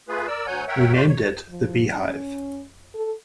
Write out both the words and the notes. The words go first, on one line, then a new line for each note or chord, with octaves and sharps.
We named it The Beehive.
A3 F4 G#4 B4
A#4 D5 E6
D2 F#3 C#5 F#5 G#5 G6
A#4 C#5 E5 F#5 G5
F4 F#4 C5 D5 C6 D6
C#5
F3
C#4
A4